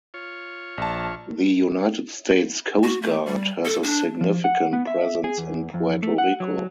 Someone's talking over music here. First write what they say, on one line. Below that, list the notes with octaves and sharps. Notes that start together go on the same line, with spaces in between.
The United States Coast Guard has a significant presence in Puerto Rico.
F4 C#5
A#1 A5
F#4
A3
G3
A4
D4
F3
F#5
B3
E5
G#4
E2
F2
A3
F#5
F#3